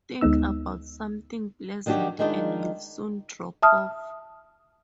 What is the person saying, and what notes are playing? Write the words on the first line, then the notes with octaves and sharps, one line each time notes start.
Think about something pleasant, and you'll soon drop off.
D2 G#3 B3 D#4 E6
D#3 F#3 D4 F#4 G4
D#3 G#3 D4 D#4 F4
E5 A5 D#6 F6